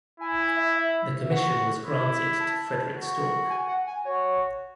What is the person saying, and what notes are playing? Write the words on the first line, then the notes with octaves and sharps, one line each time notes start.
The commission was granted to Frederic Storck.
E4 G#5
G#5
E5
E5
E5
F#4 F#5
E4
A5
F#4
G#5
F#5
G#5
F#4 C#5